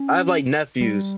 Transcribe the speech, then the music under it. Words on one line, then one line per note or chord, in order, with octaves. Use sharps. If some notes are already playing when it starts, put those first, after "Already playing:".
I have, like, nephews.
Already playing: C#4
G3